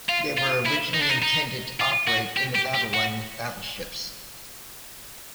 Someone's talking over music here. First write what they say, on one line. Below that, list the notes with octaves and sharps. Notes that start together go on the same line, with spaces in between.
They were originally intended to operate in the battle line with battleships.
F4
F4
E4
D#4
D4
D#4
D#4
F4
F#4
G4
G4
G4
F#4